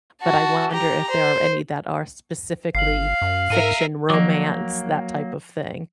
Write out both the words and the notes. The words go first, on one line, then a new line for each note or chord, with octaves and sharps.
but I wonder if there are any that are specifically fiction romance, that type of thing.
F#4 A5
G4 A#5
C5
G1 F5 C7 F#7
F#2
G#2 A#4 E5 D#7
F3 F#3 A#3 D6